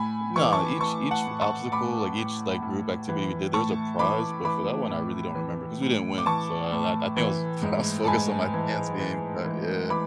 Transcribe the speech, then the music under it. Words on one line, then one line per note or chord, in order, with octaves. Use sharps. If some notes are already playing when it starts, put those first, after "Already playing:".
No, each each obstacle, like, each, like, group activity we did, there was a prize, but for that one I really don't remember, 'cause we didn't win, so I I I think I was I was focused on my pants being cut, yeah.
Already playing: A2 G#5 B5
E3 C#6
D6
A5 C#6
E3 A5 C#6
F#5 A5
A2
A5 C#6
A2 B5 D6
A2
A2
E3
A2 A5 C#6
E3 B5 D6
E3 B5 D6
A2
E3
A2
D6
E3 A5 C#6
A2
E3
G#2
A5
G#2 G#5 B5
E3
E3
E3
E3 B5 D6